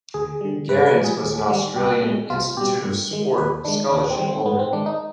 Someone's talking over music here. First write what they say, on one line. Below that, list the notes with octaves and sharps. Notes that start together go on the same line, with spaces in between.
Gerrans was an Australian Institute of Sport scholarship holder.
D2 G#4
D3 G3
G2 B4
B4
F3 G#3
G#4
D#2
D#3 G3
C2 G4
B2 G#3
C2 F4
B2 G3 G4
G2
D#3 G#3
D#2 B4
D#3 G#3 D4
D#2 D4
C4
D#3 G3
C4
G#2 B3
C4
D#3 G#3 D4
D#4